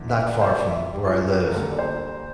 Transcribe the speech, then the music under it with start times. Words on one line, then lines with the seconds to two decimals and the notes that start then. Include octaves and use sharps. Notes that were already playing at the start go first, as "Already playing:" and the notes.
not far from where I live
Already playing: E2 D3 A3
0.09 E5
0.26 D5
0.36 A#4
0.41 C5
0.58 D5
0.69 E5
0.94 G4
1.06 F4
1.30 G4
1.48 A#4
1.54 D2 D3 G3 A#3 A4
1.71 D5
1.79 C5